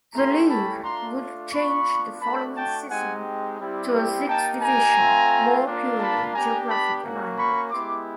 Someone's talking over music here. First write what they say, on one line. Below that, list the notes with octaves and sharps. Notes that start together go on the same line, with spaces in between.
The league would change the following season to a six-division, more purely geographic alignment.
A3 C#4 E4 G4 A#5 C6
A5 B5
A3 D4 F4 A#5 C6
B3 D4 F4 B5 C#6
A3 D4 F#4 A5 B5
G5 A5
G#3 C4 D#4 G4 F#5 G#5
G3 C4 E4 G4
A#3 D#4 G4 G5 A5
G#5 A#5
A3 C4 F4
A#3 D4 F4
A5 B5
B3 D4 G4 G#5 A#5
A5 B5
A#3 C#4 F#4
B5 C#6
G#3 B3 E4 G4 C6 D6